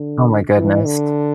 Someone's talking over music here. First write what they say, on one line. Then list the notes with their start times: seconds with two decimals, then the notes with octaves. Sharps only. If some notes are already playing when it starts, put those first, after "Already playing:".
Oh my goodness.
Already playing: D3
0.56 E3
0.85 D3